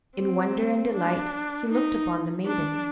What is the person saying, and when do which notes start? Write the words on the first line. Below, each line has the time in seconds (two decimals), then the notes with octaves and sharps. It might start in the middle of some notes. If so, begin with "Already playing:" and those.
In wonder and delight he looked upon the maiden.
0.17 C4
0.93 D4
1.70 D#4
2.45 D4